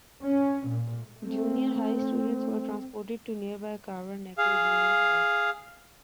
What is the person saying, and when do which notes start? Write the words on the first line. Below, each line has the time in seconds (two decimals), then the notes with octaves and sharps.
Junior high students were transported to nearby Carver Negro Junior High.
0.23 C#4
0.68 A#2
1.22 A3 C4
4.38 G#4 F5